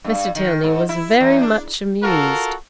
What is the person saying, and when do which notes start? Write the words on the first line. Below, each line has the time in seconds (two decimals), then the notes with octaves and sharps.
Mr. Tilney was very much amused.
0.04 G2
0.35 D#3
0.64 G#2
0.89 E4
1.21 E2
1.41 D4
2.03 F4 F#4 A4 A#4